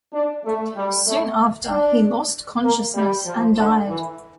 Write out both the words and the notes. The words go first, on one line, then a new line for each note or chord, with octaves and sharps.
Soon after, he lost consciousness and died.
D4
A3
G3
A3
D4
A#3
G3
F3
D3
E3